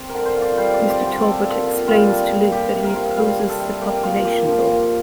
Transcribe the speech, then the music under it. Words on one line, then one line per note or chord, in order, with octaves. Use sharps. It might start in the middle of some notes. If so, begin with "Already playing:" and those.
Mr. Talbot explains to Luke that he opposes the Population Law.
Already playing: C4
A#4
D3
C5
F4
D5
G3 C5
D5
C4
D5
D3 G4
D4 A4
A#2
F4
G3 F4
D4
A#2
D4 G4
C3
A#4
F4
G3 F5
D4
A4
C3
A#3 G4
A#2 F4
A#2 G4
F3
A#3